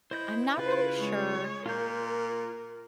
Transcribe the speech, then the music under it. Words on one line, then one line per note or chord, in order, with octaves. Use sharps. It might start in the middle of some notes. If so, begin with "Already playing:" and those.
I'm not really sure.
E4 C5 D#5 G6
C#3 F4 B4
G#3 C#5
A#2 F4 A#4 F5 G6